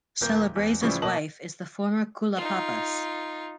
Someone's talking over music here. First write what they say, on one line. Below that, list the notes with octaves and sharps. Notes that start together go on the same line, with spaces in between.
Celebrezze's wife is the former Koula Pappas.
D#1 A#3 G6
E2
A2 C#3 E3 F3 G3
B2 A#3 D#5 A5 F#7
D#4 F4